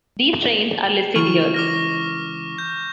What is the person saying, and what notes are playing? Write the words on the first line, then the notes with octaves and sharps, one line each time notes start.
These trains are listed here.
C#2 E3 C#6 F6
D6 F6 A#6
G6